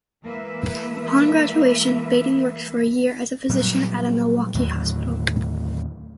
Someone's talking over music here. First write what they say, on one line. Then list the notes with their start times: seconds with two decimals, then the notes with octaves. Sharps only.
Upon graduation Bading worked for a year as a physician at a Milwaukee hospital.
0.23 E3 G#3 A#3 B4 E5
3.49 A#2 F#3 G3
4.54 D#2 A2 D3 F#3